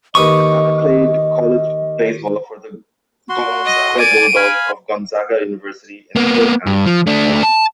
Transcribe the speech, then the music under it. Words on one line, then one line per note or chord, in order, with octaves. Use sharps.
Sakata played college baseball for the Gonzaga Bulldogs of Gonzaga University in Spokane, Washington.
D#2 B4 D#5 C#6 D#6
F#4 C6
D#5
D5 G#5 D6 D7 D#7
F5 G#5 B5
A#3 B3
G2
F3
A3 D4
A5